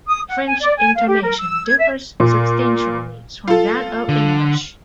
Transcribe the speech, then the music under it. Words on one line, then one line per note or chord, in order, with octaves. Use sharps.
French intonation differs substantially from that of English.
D#6
F#5
G#5
D5
G#5
F5
G4
A#4
E6
G#6
E5
A#2
F4 A4
D3